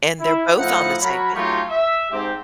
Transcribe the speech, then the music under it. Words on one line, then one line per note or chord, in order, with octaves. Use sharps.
and they're both on the same pa
E4
A2 F3 D#4 E4 F#5
F#3 F#4 A#4 C#5 B5
F#3 A3 D#4 F4 G4 C#5
E5
G#2 C4 G4